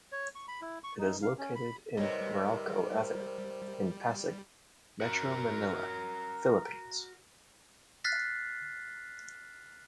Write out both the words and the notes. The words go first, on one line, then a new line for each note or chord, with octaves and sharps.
It is located in Meralco Avenue in Pasig, Metro Manila, Philippines.
C#5
C#6
B5
E4
C#6
D#4
F5
C#4
B5
G#2 C3 G3 A#4 B4 C#5 D#5
F#4 A#4
F6 F#6 A6 B6 C7